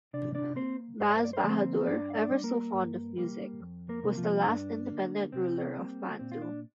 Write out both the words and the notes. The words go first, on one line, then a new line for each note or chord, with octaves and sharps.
Baz Bahadur, ever so fond of music, was the last independent ruler of Mandu.
C3 D4 D5
D4 D5
A#3 C4 C5
G2 C5
D5
C5
D5
C5
D3 F3 A#3 D5
C4 C5
G2 D4 D5
F5
D4 D5
G3 A#3
A#3 A#4
G2
G3 A#3
F2
A#3 A#4
C3 A#3
F3 F4
G2 D4
D3 A#3
C3 C4
G3 A#3
A#2 C4
F4
D4